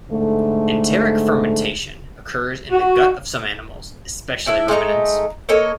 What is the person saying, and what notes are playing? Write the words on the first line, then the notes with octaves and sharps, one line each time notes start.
Enteric fermentation occurs in the gut of some animals, especially ruminants.
G#2 D3 A3
F#4
D4 E4 E5
G#3 A3 D#4 A#5
A#3 A4 C#5 D#5